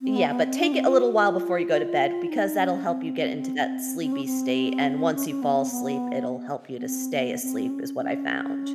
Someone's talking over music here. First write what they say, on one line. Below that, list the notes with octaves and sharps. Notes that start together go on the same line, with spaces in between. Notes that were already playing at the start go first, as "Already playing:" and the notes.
Yeah. But take it a little while before you go to bed because that'll help you get into that sleepy state, and once you fall asleep it'll help you to stay asleep is what I found.
C4
B3
B3
C4
D4
C4
F4
F#4
F4
D#4
C#4
C4
C4
C#4
C4
C#4
C#4
B3
C4
B3
B3
C4
B3
C4
C#4
C#4